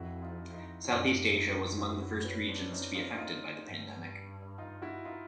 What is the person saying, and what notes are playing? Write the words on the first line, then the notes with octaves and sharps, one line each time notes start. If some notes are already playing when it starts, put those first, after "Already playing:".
Southeast Asia was among the first regions to be affected by the pandemic.
Already playing: F2 E4 F#4
D#4 F4
D#4 F4
F#2 D4 E4
D#4 F4
E4 F#4
E4 F#4
B3 C#4
C4 D4
C#4 D#4
D#4 F4
D#4 F4
G2
D#4 F4
E4 F#4
D#4 F4